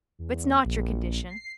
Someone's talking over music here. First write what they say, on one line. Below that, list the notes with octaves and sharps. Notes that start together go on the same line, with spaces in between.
It's not your condition.
E2
A#1
C7